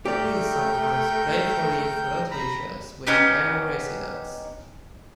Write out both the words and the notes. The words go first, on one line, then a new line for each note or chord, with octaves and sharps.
She is sometimes playfully flirtatious with male residents.
A3 G4 A#4 D5 G5 G6
A#5 B5
B3 C#4 D#4 G4